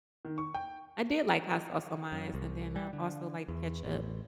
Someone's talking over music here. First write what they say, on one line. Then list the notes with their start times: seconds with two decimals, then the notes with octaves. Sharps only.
I did like hot sauce on my mine's and then I also like ketchup.
0.25 D#3
0.38 C#6
0.54 G5
2.12 F#2
2.34 C2
2.76 G3
2.93 D3
3.48 E2
3.84 A1